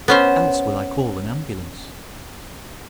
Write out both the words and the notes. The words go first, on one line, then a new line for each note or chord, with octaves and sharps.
"Else will I call an ambulance."
B3 C#4 C5